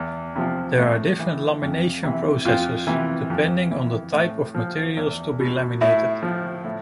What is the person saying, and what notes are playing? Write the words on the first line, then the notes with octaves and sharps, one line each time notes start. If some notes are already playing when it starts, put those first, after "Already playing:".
There are different lamination processes, depending on the type of materials to be laminated.
Already playing: E2
C3 F3
A2
E3
F2
C3 E3
F2 F4
C3 E3
F2
E3
A2
F3
E2
B2
A2 E4
F3
A2